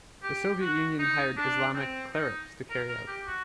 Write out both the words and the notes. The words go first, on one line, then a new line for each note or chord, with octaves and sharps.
The Soviet Union hired Islamic clerics to carry out.
G4
F#4
D#4
D4
C4
D#4
A#4
A#4
G4
F#4